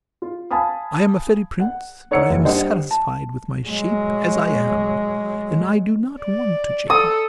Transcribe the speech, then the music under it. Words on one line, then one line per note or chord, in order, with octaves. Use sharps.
I am a fairy prince, but I am satisfied with my shape as I am; and I do not want to change.
F4
F5 G#5 A5 B5 D#6
F#5
D#4 C#5 D5 F#5 E6 C#7
F#1
G3 D4 C5 D#5 F#5
A5
F#3 G#3
D5
A4 D#6